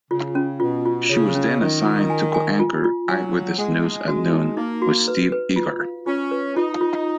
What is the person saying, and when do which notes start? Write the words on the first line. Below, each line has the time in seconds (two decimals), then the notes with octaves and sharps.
She was then assigned to co-anchor "Eyewitness News at Noon" with Steve Eagar.
0.11 C#3 F4
0.35 C#4
0.60 B2 F4
0.86 F4
1.09 C#3 C#5
1.35 C#4
1.60 D#3 F4
1.85 F4
2.10 G#5
2.34 G#5
2.59 F4
2.84 F4
3.08 F#3 G#5
3.34 F5
3.58 G#3 F#5
3.83 D#4
4.07 G#3 F#4
4.33 D#4
4.57 A#3 D#4
4.82 F#4
5.08 B4
5.32 B4
5.56 F4
5.82 F5
6.06 C#4 F4
6.31 B4
6.55 D#4 F4
6.81 F4